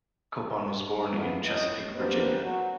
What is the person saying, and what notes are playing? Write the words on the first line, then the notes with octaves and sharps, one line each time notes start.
Copon was born in Chesapeake, Virginia.
E3 A3 B3 F4
A2 D#5
A#3 B3 D4 G4 B4 C5
F#3